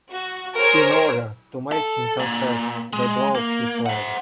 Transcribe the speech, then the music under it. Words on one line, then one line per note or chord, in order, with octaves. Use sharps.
In order to make him confess, they broke his leg.
F#4
G#4 A#4 C5 C#5
A4
A#2
G#3
A#3
C5 F#5